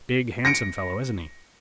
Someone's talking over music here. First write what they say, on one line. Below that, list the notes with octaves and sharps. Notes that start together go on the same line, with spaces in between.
Big, handsome fellow, isn't he?
A#6 C#7 D7